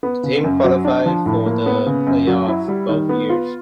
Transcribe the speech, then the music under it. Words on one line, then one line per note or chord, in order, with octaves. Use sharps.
The team qualified for the playoffs both years.
B3
C#3
F#2
F#3
D4
F3
A2
A#3
B3
C#3
F#2
F#3
E4
G3
D#3
B3
F4